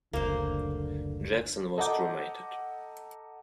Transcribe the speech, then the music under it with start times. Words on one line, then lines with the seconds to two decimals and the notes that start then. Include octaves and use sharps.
Jackson was cremated.
0.13 F#1 D2 D3 A#3 C5
1.77 A4 D#5 F#5 A#5 D6 G6